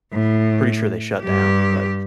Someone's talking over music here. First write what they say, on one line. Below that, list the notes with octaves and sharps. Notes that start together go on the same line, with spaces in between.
pretty sure they shut down, but,
A2
G2 G4